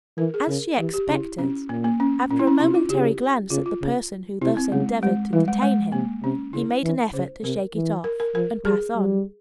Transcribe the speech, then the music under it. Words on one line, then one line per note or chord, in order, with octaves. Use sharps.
As she expected, after a momentary glance at the person who thus endeavoured to detain him, he made an effort to shake it off, and pass on.
E3 A#4
G#4
C#3 A#4
E3 G4
G4
C#3 E4
C3 C#4
A#2 A#3
A#3
C#4
A#2 C#4
E4
C#4
C3 E4
F4
C#3 G4
C#3 F4
F4
C#3
C3 E4
C4
C#3 G#3
G3 G#3
E3 G3
G#3
G#3
C3 A#3
C3 C#4
C#3 E4
E3
C#3 C5
C3 A#4
E3
A#4
A#4
F3 A#4
G3 G#4
G3